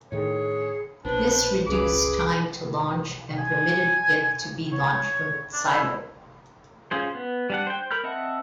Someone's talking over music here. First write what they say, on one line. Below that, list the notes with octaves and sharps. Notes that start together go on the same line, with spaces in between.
This reduced time to launch and permitted it to be launched from its silo.
A2 D#3 G#4 C#5
A#1 B2 D4 B4 C5
F#1 C#2 C#3 G#4 B4 D6
G#5
C#5
D4
E4
C#4 F4 G#4 C5
B3
G3 D4 F#5
C5 G5
A#4 B5 F6 G6
C4 D#5 E5 F#5 A5